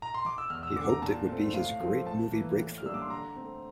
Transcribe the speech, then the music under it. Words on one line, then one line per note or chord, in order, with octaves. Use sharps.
He hoped it would be his great movie breakthrough.
A#5
C6
D6
E6
E2 F6
E6
D3 A3 D6
A#5
A#2 A5
A3 C4
A2 F5
F3 A3 C4
A2 A5
E3 A#3
A2
F6
G3 A#3 D4 E6
D6
C6
D3 A#5
A3 C4